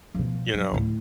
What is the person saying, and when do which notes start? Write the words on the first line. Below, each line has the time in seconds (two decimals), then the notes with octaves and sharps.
you know,
0.15 B2 F3
0.54 F#3
0.71 D2 A2